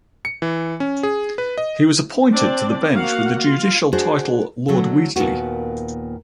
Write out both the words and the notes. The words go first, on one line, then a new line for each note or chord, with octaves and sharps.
He was appointed to the bench, with the judicial title Lord Wheatley.
C#7
E3
C#4
G#4
B4
D#5
C4 D4 D5
A#3 F#4 F5 F#5
F4 F5
D4 F#4 G#4 C5
D3 F#3 A3
D#2 A#2 B3 F#4